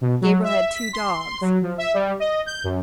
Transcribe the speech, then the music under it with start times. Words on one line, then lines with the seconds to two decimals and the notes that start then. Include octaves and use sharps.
Gabriel had two dogs.
0.01 B2
0.21 F#3
0.44 E5
0.75 B6
0.93 C6
1.41 F#3
1.62 F3
1.78 E5
1.94 G3
2.19 D#5
2.46 G6
2.64 F#2